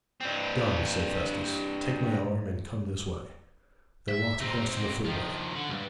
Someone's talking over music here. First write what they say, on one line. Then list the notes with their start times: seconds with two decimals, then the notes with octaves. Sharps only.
'Done!' said Festus. 'Take my arm and come this way.' They walked across to the footway.
0.21 G2 C4
4.08 E5
4.40 C4 D#4
5.05 D#3 F3
5.55 D3
5.69 C2 G2